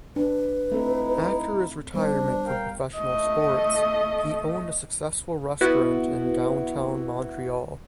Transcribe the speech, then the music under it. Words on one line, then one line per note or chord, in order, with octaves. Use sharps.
After his retirement from professional sports, he owned a successful restaurant in downtown Montreal.
D4 B4
A3 C4 D#4 E4 A4
G3 B3 D4 C5
A#4 F5 G5
A3 D#5
B3 E4 F#4